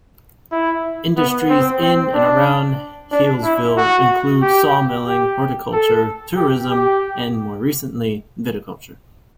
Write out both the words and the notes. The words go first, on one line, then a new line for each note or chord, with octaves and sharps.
Industries in and around Healesville include sawmilling, horticulture, tourism and, more recently, viticulture.
E4
B3
C4
C4
D4
D4
E4
F#4
G4
G4
A4
G4
G4